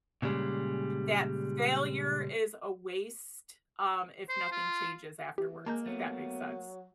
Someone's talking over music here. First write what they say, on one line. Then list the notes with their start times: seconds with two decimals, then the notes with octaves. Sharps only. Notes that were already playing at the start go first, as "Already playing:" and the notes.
that failure is a waste, um, if nothing changes afterwards, if that makes sense,
0.22 A#2 C#3 E3 G3 G#3
4.29 C5
4.52 F4
5.38 E3 G4
5.66 G#3 A#3 A5 A#5 G6
5.86 F#3 A3 B3